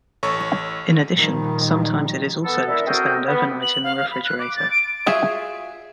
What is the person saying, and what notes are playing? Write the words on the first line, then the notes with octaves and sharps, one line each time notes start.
In addition, sometimes it is also left to stand overnight in the refrigerator.
A1 A4 C#5 C#6
A#2 D#3 F3 G3
B3 A4
D4 E4 A#4 E5
C4 F#4 A4 A#4 D#5 G5
B3
F#7
F5
F5
B5
F#6
D6
A6
D7
F4 F#4 G#4 E5